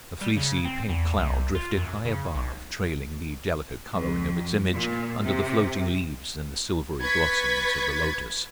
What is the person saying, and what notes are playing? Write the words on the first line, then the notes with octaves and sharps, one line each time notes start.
A fleecy pink cloud drifted high above, trailing the delicate colouring of its image under the floating leaves and the silvery blossoms of the lotus.
G3
C#3
C4
E2
C2
F4
F#2
C#3
B1
F2
A#2
C3
B4 C#6 G#6 A6 B6